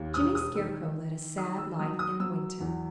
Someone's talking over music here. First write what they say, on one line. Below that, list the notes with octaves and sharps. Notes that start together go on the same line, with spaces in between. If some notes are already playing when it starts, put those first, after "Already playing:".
Jimmy Scarecrow led a sad life in the winter.
Already playing: D#2
E1 D#6
D#6
D#3 E6
D#3
D#3 D#6
E6
F#3 D#6
D#6
F#3 E6
E2